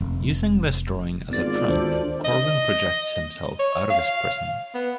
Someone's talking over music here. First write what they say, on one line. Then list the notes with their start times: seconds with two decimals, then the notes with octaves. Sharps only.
Using this drawing as a Trump, Corwin projects himself out of his prison.
0.01 F1
1.31 G#1 B3 F4 D5 A6
1.69 D2 D#3 D4 F#4 A4 C5
2.24 D#5
3.59 C#5
3.90 F5
4.75 B3